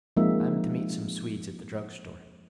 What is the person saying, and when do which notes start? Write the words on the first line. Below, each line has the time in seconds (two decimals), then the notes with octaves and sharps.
I'm to meet some Swedes at the drug-store.
0.17 F3 G#3 A#3 C4 D#4 E5